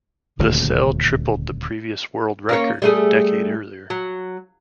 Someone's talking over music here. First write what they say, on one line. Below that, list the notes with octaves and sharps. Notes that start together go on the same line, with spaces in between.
The sale tripled the previous world record of a decade earlier.
D#1 D2 A#2 C#3
A#3 C#4 C#5
G3 A3 G#4
F#3